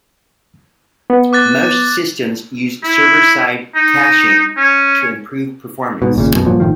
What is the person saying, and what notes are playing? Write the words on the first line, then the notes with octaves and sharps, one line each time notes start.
Most systems use server side caching to improve performance.
B3
D6 F#6 A6
E4
D#4
C#4
G#2 B2
G#1 A#2 C#3
B1 F#2 B2
G2 A#2 F3 F#3
G1 A2 D#3 F3